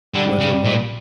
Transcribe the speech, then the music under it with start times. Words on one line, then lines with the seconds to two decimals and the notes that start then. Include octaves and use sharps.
Was it hard?
0.14 D3 G3
0.40 C#3
0.65 A#2